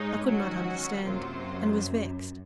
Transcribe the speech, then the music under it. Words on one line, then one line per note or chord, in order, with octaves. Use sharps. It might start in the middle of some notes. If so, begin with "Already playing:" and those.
I could not understand, and was vexed.
Already playing: G#2 G#3 D#4 C#5
D#3 F#3 C#4 F#4
F#2 C3 F#3 A#3 F4 C5